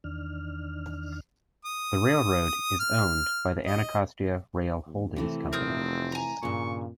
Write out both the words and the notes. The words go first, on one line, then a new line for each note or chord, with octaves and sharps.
The railroad is owned by the Anacostia Rail Holdings Company.
E2 D#3 D4 F6
D#6
F6
D#5
D#2
C3 E3 A3
F1 C4 A#4 D#6 G6
G#5 A#5
G2 A#2 C#3 C#6